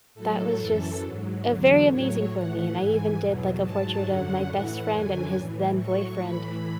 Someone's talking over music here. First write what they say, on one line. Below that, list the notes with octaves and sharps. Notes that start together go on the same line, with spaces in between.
that was just, uh, very amazing for me, and I even did, like, a portrait of my best friend and his then boyfriend
A2 F#3 A4
F#2 E3 A4
G#2 F#3
E2 D3 F#3
A2 F#3 C#5
A2 F#5
E3
G#2 E3 G#5
E2 B2 F#3
G#2 F#3 A5
F#2 D3 F#3 F#5
A2 E3 F#5
F#2 D3 F#3 G#5
A2 E3
A2 F#3 C#6
A2 E3 B5